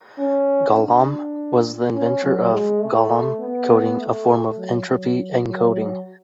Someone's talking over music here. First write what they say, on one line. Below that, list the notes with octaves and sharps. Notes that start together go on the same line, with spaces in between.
Golomb was the inventor of Golomb coding, a form of entropy encoding.
C#4
D4
C#4
F#3
G#3
A3
B3
A3
F#3
F#3
F#3